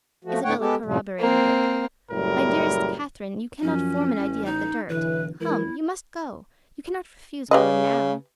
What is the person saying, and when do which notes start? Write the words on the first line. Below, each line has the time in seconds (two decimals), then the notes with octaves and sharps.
Isabella corroborated it: "My dearest Catherine, you cannot form an idea of the dirt; come, you must go; you cannot refuse going now."
0.24 F3 A3 F#4
0.44 A2 D3 A3 C#5 F#5 G5
0.60 G#3 B3 G4 A4
0.85 F#2 A2 C3 F3 G3
1.19 A#3 C4
2.12 F#1 A2 G3 A#4
3.63 F#2 F3 C#4
4.17 A1
4.46 D#4
4.89 B1 D3 E3 B4
5.41 E3 G#3 E4 A#4
7.51 C#3 G4 B4 D#5